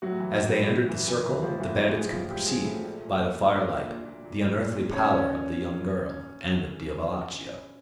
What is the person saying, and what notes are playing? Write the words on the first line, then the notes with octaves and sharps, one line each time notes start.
As they entered the circle, the bandits could perceive, by the firelight, the unearthly pallor of the young girl and of Diavolaccio.
A2 F#3 F#4
E3
A2
A2
A2
E3
E3
E3
A2 F3 F4
E3 F#3 F#4
A2 G3 G4
A2 G#3 G#4
A2 F3 F4
A2 G3 G4
A2 G#3 G#4
A2 A3 A4
A#2
A#2
A#2
A#2
A#2 D4 D5
A#2
A#2
A#2
A#2
A#2
A#2
A#2
A#2 C#4 C#5
A#2 C#4 C#5